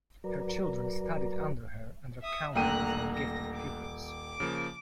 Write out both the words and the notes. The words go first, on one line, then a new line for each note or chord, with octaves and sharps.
Her children studied under her and are counted with her gifted pupils.
F#3 F#4 A#4 B4 D5 A#5
E5 D#6
D#1 D3 A3 A#3 G5 A#5 F#6 D#7
A#6
D6
D6
C#3 F3 A#3